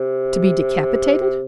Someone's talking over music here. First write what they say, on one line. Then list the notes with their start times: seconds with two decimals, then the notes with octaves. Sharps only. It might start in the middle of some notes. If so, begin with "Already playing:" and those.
To be decapitated?
Already playing: C3